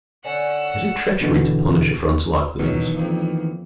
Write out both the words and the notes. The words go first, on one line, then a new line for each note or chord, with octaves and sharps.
Is it treachery to punish affronts like these?
D3 C#4 F#5 E6
B2 D3 E3
B2 D#3 E3 F#3 B3
F2 A#3